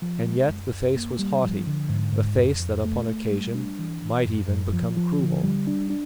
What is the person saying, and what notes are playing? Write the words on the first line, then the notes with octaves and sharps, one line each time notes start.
And yet the face was haughty, a face that upon occasion might even become cruel.
F3
G#3
F#2
F#2
A#3
G3
F3
D3
G#2
G#2
F2
F2
A3
A3
G3
D4
E3
E3
F#2
F#2
F3
F3
D3
G3
D4
D4